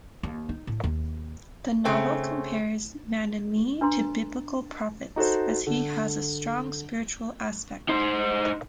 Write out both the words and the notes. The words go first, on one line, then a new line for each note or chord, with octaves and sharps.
The novel compares Vanamee to biblical prophets, as he has a strong spiritual aspect.
D#2
D#4
A2
D#2
C#3 A3 C4
D4 B4 A#5 C6
D#4 F#4 A4 C5
D3
D#4 C5